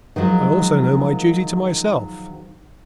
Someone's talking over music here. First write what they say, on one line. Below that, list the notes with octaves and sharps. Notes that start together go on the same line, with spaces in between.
I also know my duty to myself.
D#3 F3 F#3 G#3